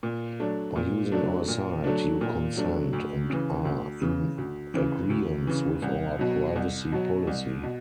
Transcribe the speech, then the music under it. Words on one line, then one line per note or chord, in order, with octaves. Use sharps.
By using our site, you consent and are in agreeance with our privacy policy.
A#2
F#3 A3 D4
A#2
F#3 A3 D4
A#2
F#3 A3 D4
A#2
F#3 A3 D4
D2
C#3 E3
D2
C#3 E3
D2
C#3 E3
D2
C#3 E3
C2
B2 F#3
C2
B2 F#3
C2
B2